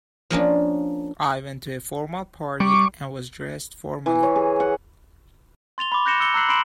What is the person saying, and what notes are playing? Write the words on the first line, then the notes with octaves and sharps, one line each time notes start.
I went to a formal party and was dressed formally.
F3 A#3 C#4 D4
G3 C#6 D6
E3
C#5
G#4
F#5
C6 A6 F7 G7
B5 D6
F#6 G6 A#6 C#7 E7 G7
E6 C#7 G7
A#5 E6 F#6 C7 F#7
B5 C6 C7 D7 E7 F#7